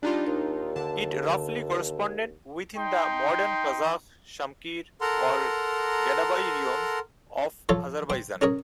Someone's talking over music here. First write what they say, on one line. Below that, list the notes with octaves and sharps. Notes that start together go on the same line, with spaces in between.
It roughly corresponded within the modern Qazakh, Shamkir or Gadabay raions of Azerbaijan.
G3 D4 D#4 F4
D#2
D3 A5
D#4 G5 C6
A4 A#4 F#5 A#5 C6
F3 F4 A4 C#5
C5 G5
C#4 G#4 A#4 C#5